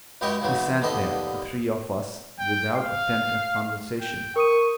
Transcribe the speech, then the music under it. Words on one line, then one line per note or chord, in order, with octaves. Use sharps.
We sat there, the three of us, without attempt at conversation.
C#2 F#2 E4 G4 C#5 D#5
B1 C#3 E3 F#3
D#2 D3 B3 A4 D#5
G5
F5 C7
G5
A#4 C#6 D#6 D#7